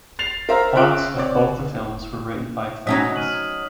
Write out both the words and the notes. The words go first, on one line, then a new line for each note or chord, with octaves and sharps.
Plots of both the films were written by Phadnis.
A6 C7 F7
A#4 C5 E5 F5 A#5
C#3 F4 E5 F#6 D7
C4 C#5 D5
F#3 C#4 D#4 D#6 B6
F6 D#7 F#7